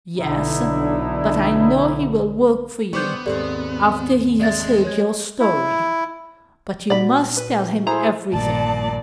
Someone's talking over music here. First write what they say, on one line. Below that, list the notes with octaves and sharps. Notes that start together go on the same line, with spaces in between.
"Yes, but I know he will work for you--after he has heard your story. But you must tell him everything."
B1 D3 D#4 E4
G3 B3 C5 C#6 D6 G6
D#2 G#2 C4 G4 A4 D5
G#3 D5 E5 A6
C#5 G#6
E4
A#2 D#4 F#4 D5 B5
B4
E4 G#4 A4 C5 A#5
A#1 G2 A#2 D#3 D5 A5